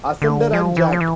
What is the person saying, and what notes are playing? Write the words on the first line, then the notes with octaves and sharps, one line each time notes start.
Asunder and Jack!
D3
F3
E3
F3
E3